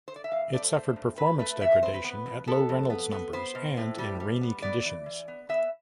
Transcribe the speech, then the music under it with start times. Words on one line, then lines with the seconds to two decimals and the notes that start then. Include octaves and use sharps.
It suffered performance degradation at low Reynolds numbers and in rainy conditions.
0.08 C5
0.16 D5
0.24 E5
0.31 G2 F5
0.53 A3 D5
0.64 C5
0.75 A3
0.96 G2
1.17 C4 B4
1.39 A3 B4
1.61 E3 E5
1.72 C5
1.82 C4 C5
1.94 B4
2.04 B3
2.26 F2
2.48 B3 A4
2.69 F2
2.90 B3
3.12 B3
3.33 B3 C5
3.55 B2
3.77 A2
3.98 G3
4.20 G3
4.41 B3
4.62 B3 D5
4.85 E3
5.06 E3
5.28 B3
5.49 B3 E5